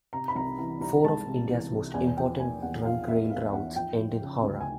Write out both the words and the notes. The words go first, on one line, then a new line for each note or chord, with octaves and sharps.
Four of India's most important trunk rail routes end in Howrah.
C3 A#5
B5
C2 A#5
E3 A#5
C2 A#5
G#3 A5
C3
E3
C2
E2 G#5
G#5
F3 G5
A#3 G#5
E2 F#5
F3 F5
A#3 E5
E2 F5
E2 F#5
F3 G5
F3
C#3
D2
G#5